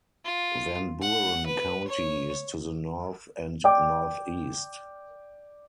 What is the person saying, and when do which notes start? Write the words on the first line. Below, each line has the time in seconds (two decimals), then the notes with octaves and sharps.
Van Buren County is to the north and northeast.
0.25 F4
1.02 F#5
1.46 B4
1.88 C#5
3.64 D5 G5 D6